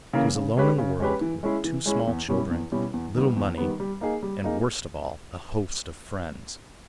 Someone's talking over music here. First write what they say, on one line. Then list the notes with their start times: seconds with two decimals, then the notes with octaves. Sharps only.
She was alone in the world, with two small children, little money, and, worst of all, a host of friends.
0.13 C#3 E3 A#3
0.35 C#3
0.57 G#3 C#4 G4 B4
0.78 C#3
1.00 G#3 C#4 G4 B4
1.21 E3
1.43 G#3 C#4 E4 G#4
1.64 E3
1.86 G#3 C#4 E4 G#4
2.07 E2
2.28 B2 G3 C#4 E4
2.51 E2
2.72 B2 G3 C#4 E4
2.94 E2
3.15 D#3 G3 B3
3.36 E2
3.58 D#3 G3 B3
3.80 G3
4.01 A#3 D#4 G#4
4.23 G3
4.44 A#3 D#4 G#4